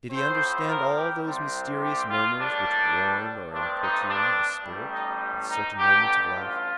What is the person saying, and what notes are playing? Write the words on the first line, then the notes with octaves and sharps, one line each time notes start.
Did he understand all those mysterious murmurs which warn or importune the spirit at certain moments of life?
A2 F3 A3 C4 C5
A#4
G4
C2 C3 G3 C4
G4
F4
A#1 A2 G3 D4
G2 F3 A3 C4 D4
D#4
D4
A1 A2 G3
D#4
D#4
A1 G2 D3 G4
F4